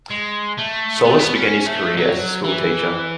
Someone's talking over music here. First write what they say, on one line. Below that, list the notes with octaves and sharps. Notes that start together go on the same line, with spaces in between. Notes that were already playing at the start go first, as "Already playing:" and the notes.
Solis began his career as a school teacher.
G#3
A3
B3
A3
B3
C#4
A3
F#3
E3